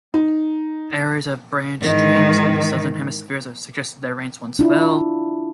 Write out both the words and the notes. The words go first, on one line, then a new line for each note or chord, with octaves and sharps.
Areas of branched streams, in the southern hemisphere, suggested that rain once fell.
D#4
G#2 D#3 E3
D4 E4 F4